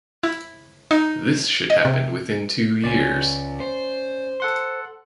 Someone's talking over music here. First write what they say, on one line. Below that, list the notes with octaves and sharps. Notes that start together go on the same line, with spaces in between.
This should happen within two years.
E4
D#4
D#5
C3
C#2 C#4 D5
C5
A4 F#5 C6